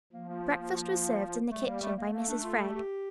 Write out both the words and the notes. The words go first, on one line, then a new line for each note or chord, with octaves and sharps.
Breakfast was served in the kitchen by Mrs. Freg.
F3 A#3
A#3
A#3
A#3
G3 A3
A#3
A3
A3 A#3
A#3
D4
F4
G4
G4